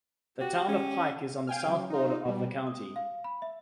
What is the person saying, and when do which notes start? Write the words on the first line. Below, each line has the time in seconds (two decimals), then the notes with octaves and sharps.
The Town of Pike is on the south border of the county.
0.41 F#4 G4
0.68 C#4
1.47 F5 G5 G#5 F6
1.65 C#3 F#3
1.90 D#4 F4
2.25 B2 G3
2.67 D#6
2.96 F5
3.24 B5
3.42 E5